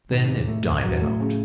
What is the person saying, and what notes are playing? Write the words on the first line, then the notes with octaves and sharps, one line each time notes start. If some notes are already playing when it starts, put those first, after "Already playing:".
Then it died out.
A2 D#3
D#2
A3
F#2
F#3
A3
C#3